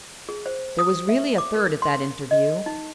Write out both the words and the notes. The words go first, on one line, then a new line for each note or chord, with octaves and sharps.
There was really a third at that interview.
G#4
C5
D#6
E5
D6
A#4
C6
D#5
D#4